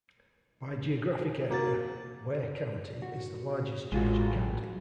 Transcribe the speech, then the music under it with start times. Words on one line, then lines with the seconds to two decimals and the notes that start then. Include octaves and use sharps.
By geographic area, Ware County is the largest Georgia county.
1.50 C3 A#3 F#4 A6
3.02 F#4
3.92 A1 G#3 F4 F#4
4.35 F#3